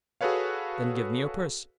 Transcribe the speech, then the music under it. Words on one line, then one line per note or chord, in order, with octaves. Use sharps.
"Then give me your purse."
F#4 G#4 A4 B4 C#5 F5